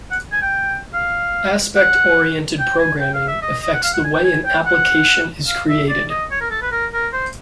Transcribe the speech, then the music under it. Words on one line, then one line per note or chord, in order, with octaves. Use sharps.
Aspect oriented programming affects the way an application is created.
F#5
G#5
G5
F5
F#5
G5
G#5
G5
F5
E5
D#5
D#5
F#5
F5
F#5
G#5
G5
G#5
G5
F#5
F5
E5
D5
D#5
C#5
A#4
A4
B4
A#4
A#4
C5